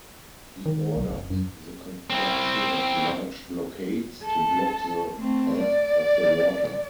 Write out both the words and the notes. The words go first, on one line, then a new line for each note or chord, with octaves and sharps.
He ordered the construction of large blockades to block the path of the water.
D#3
B1
F#1
F#2
C4 E4
A4
A3 C4
D5